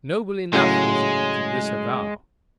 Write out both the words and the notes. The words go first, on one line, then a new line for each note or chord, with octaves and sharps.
Noble enough was he to disavow!
A2 C#3 F#3 G#3